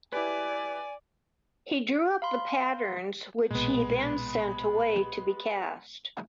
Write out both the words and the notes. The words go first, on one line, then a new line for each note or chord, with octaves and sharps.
He drew up the patterns which he then sent away to be cast.
E4 G4 B4 D5 G#5
F5 B5 C6
B1 A#2 G#3 B3 B5